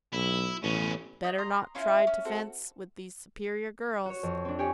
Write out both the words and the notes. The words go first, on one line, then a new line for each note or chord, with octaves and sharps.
Better not try to fence with these superior girls.
B1 E4
A1 B2 C#4
D#4 G6
A#5 C6 D#6
C#4 E4 F4
C#4
C4 F#4 A4
F#4 C#5
F2
C4 D4
G4 C#5 D5 G#5